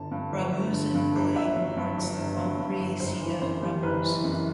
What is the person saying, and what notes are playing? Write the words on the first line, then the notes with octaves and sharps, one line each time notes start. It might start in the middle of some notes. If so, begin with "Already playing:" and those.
Ramuz in Pully awards the Grand Prix C. F. Ramuz.
Already playing: G1 D3 A5
G2
G1
G1
D3
G2
G1
G1 E5
F#3
G2
G1
G1
F#3
G2
G1
F#1 C5
E3
F#2 C5
G3
F#1 B4
E3
F#2